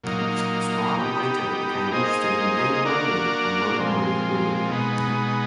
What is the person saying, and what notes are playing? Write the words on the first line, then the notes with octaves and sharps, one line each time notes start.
Sprague later became interested in linen weaving and locomotive building.
A#2 F#3 A#3 D#4
B3 D#4 G4
A#3 D#4 G#4 C5 D#5
A#3 D4 F#4 A#4 D5
A#2 F3 G#3 C4
B2 G#3 B3 D#4